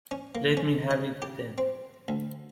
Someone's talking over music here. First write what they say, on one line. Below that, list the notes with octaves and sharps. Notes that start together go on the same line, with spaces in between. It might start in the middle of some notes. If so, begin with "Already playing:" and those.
Let me have it then!
C#4
A#3
C#4
D#5
G4
C4
D2